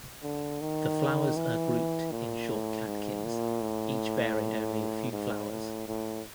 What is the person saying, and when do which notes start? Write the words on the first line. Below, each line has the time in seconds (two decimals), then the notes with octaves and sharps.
The flowers are grouped in short catkins each bearing only a few flowers.
0.23 D3
0.61 D#3
1.36 E3
2.12 A#2
2.49 A2
2.87 G#2
3.25 A#2
3.62 A2
5.12 G#2
5.51 A2
5.88 A2